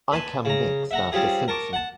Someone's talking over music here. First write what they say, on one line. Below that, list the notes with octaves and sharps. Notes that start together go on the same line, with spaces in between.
I come next after Simpson.
B4 G#5 A5 C6
C#3 A#5
E5 F#5 A#5
G3 C4 C#4 F4 G4 G#4
A#4 A5 C#6 D6
F#5 A5